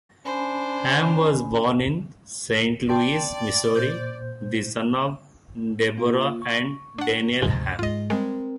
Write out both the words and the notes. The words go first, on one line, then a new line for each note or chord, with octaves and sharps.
Hamm was born in Saint Louis, Missouri, the son of Deborah and Daniel Hamm.
C#4 D4 C5 G#5 B5
D5 G5 A5 C6
A#2 C5 G6
A#3 F4
C#6
D4 F#5
D2 G#2 C3 F3 G#3
G#2 G#3 F4 D#5
G3 G#3 C4 A#4